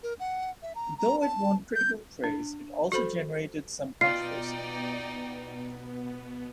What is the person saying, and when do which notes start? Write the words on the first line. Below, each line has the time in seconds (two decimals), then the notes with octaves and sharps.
Though it won critical praise, it also generated some controversy.
0.03 A#4
0.20 F#5
0.62 E5
0.75 A#5
0.98 A#5
1.21 A5
1.75 G6
2.24 D4
2.92 F#4 A4 C5 B5
4.01 B2 B3 D#4 F4 D5 G5 C7